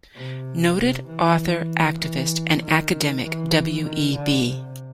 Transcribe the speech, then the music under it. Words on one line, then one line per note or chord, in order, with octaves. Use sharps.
Noted author, activist, and academic W. E. B.
C3
C3
E3
E3
D#3
E3
D#3
D3
C3